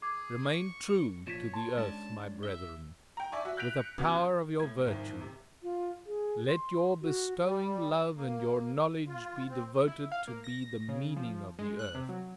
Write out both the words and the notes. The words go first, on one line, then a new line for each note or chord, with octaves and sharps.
Remain true to the earth, my brethren, with the power of your virtue! Let your bestowing love and your knowledge be devoted to be the meaning of the earth!
G#4 D6 G#6
C#6
A#2 F3 C#5 B6 D#7 E7
A5 C6
G#3 C#4 D4 A5
E5 G7
G5 A#5
D5 E5 G#5 C#6
F#4 E5
F#6 G6 A#6 B6 D7 F7
C#7
C#3 E3 B3 F#4
A2 G#6
C2 G#2 D#3 F3
C3
F4
G#4
C6
F#4
G3
A#3
F4
C4
E4
F5
A#3
A#6
C#3
F3
G#3
F#6
C3
F#3